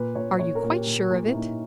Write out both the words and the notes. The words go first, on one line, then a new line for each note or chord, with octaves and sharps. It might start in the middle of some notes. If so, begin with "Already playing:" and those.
"Are you quite sure of it?"
Already playing: A#2 B4
A#2 C#5
A#2 C#5
A#4
A#2
G4
A#2
A#2
E4
A#2 D#4